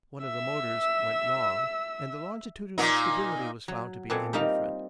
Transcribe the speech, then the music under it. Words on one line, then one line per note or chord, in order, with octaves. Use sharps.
One of the motors went wrong, and the longitudinal stability was found to be indifferent.
E5 E6
A#2 A#3 D#4
F#3
A#2 B3 C4 A4 F#5 G#5
G3 A#3 C4 D#4 F4 F5